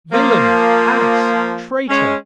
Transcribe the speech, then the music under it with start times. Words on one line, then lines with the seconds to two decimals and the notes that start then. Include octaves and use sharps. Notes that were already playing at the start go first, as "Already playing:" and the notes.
'Villain, ass, traitor!'
0.12 F3 A#3
1.89 G#3 C#4